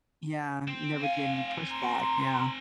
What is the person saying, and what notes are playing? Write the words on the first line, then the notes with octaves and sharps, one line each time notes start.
Yeah. You never did and you pushed back, yeah.
C4
C4 F5 G#5
A#5 C6